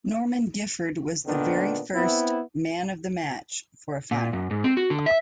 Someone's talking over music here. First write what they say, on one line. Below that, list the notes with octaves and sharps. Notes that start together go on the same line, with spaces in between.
Norman Gifford was the very first "Man of the Match" for a final.
A#2 D3 D#3 B3 D4
B3 C4 E4
A#2
F#2
G#2
C4
F#4
D3
E5